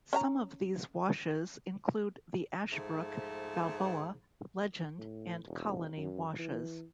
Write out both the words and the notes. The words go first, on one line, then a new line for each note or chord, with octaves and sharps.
Some of these washes include the Ashbrook, Balboa, Legend, and Colony Washes.
C#4 E5 A#5
G#2 F3 A3
A2
E1
F#2
E3